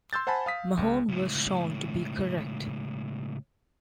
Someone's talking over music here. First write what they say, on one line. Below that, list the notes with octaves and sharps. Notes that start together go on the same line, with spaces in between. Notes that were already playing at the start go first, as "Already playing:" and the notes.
Mahon was shown to be correct.
C6 E6 G6 A6
C5 F#5 G#5 A5 B5
F5 D#6 B6
C#2
C#2 A2